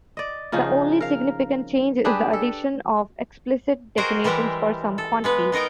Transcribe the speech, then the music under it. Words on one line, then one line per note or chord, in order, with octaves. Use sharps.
The only significant change is the addition of explicit definitions for some quantities.
D5 D#5
C#3 F3 D#4 G#4
A#4 F5
D4 G4 G#4 B4
A4
F#4 G#4 A#4 C5 D#5 G5
E3 G3 G#3 G4 E5 A#5
A4
G#3 B3 B4
B3 D#4 A#4 D#5 G5